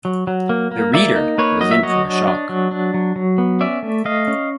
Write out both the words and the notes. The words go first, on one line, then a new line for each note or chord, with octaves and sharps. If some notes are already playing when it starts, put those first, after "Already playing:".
The reader was in for a shock.
F#3
F#3
A#3
A#3
A#3 D5 E5
D#4
A#3 B4 C#5
F#3 D#5
E5
F#3 C#5 D#5
D4
D4
F#3
D4
F#3
F#3
B3
C#4 D5 E5
A3
A3 D#5 F5
C#4